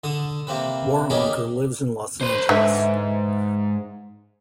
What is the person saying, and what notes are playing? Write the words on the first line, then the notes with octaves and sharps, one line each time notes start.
Waronker lives in Los Angeles.
D3 A4 D#6
C3 A#3 C4 B4
A#3 C#4 D4 G4 G#4 D#5
B4 C5
G#2 D3 B4 E5